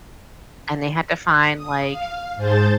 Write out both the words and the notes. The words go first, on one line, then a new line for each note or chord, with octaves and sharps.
and they had to find, like,
D#6
F5
G#2 G#4 C5 A5 G6 A6